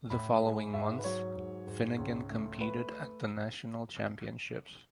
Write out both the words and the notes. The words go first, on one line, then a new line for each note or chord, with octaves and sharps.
The following month Finnegan competed at the National Championships.
A2 B5
G#3
G#2 E5
B4
F#3 C#5
G#2
G#2
C#2
A3
A3 B4